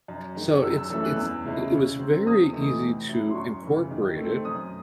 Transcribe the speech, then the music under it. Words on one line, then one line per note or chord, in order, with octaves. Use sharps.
So, it's it's it it was very easy to incorporate it
F#2
D#3 G#3
F#2 E6
E6
E3 A3 C#4 E4 E6
F#6
E2 E6
C#3 G#3 C#4 E4
C#3
F#3 C4
E2 D#6
C3 E3 A3 D#4
A2
F#3 C#4 E4
C6
F#2 C#6
C#3 E3
D#3
A3 C4
F#2 D#6